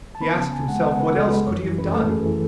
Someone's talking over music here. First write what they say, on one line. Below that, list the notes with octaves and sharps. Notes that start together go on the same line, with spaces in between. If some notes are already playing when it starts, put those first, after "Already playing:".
He asked himself what else could he have done.
A5
B3 B5
C#3 A5
C#2 G#5
G#3 F#5
B3 F#5
C#3 B4
C#2 A4
G#3 B4
F#2 C#5
E3
F#2 B4
A3 A4
F#2 G#4
E3